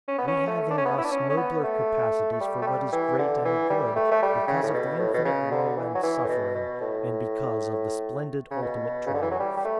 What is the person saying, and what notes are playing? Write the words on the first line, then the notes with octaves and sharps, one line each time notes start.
We have in us nobler capacities for what is great and good because of the infinite woe and suffering, and because of the splendid ultimate triumph.
C#4
B3
C#4
A3
D4
C#4
B3
E4
D4
C#4
C#4
B3
A3
A3
G3
A3
G3
E3
D3
E3
G3
A3
A3
G3
C#3
A2
B2
A2
B2
C#3
D3
E3
F#3
E3
A2
B2
B2
A2
C#3
B2
C#3
D3
E3
F#3
G3
G3
A3